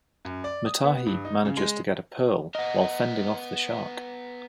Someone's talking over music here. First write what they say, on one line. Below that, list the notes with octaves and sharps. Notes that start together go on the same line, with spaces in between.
Matahi manages to get a pearl while fending off the shark.
F#2
D5
D#6
B3
G2
D#4
C#3
G#3
B3 A#4 D#5 F#5